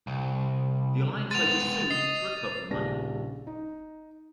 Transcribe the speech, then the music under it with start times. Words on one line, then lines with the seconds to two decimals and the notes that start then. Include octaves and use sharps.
The Alliance later sued to recover the money.
0.07 C2
1.31 G#3 B3 A6 F7
1.91 D#5 C7
2.70 D#1 A#1 C#3 G3 A5 A#6
3.47 D#4